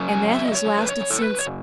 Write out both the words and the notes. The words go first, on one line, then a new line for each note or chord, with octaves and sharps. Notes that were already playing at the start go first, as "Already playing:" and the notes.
"And that has lasted since--?"
Already playing: F#2 C#3 F#3
G#5
E5
D#5
C#5
B4
C#5
A4
B4
C#5